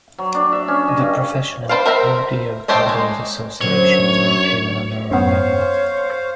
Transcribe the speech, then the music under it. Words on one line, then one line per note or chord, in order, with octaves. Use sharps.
The Professional Rodeo Cowboys Associations made him an honorary member.
F#3
D4
E5
C#4
D#5
G2
B4 C5 D5 F5
A#4 C5 E5 F#5 A#5
A3 G4 C5 C#5 D#5
G#3 A#3
F#2 D3 F#3 C4 C#5
F#2 B3 C5 C#5 F5